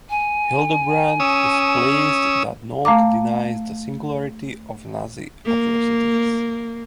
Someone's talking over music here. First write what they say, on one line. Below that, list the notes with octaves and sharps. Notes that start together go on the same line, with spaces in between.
Hildebrand is pleased that Nolte denies the singularity of the Nazi atrocities.
G#5
C#4 D#6 E6
A3 F5 A#5 D6
A#3